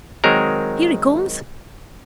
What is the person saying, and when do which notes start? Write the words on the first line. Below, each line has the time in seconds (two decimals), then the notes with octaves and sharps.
Here he comes.
0.24 D#3 F#3 G#3 C4 A#4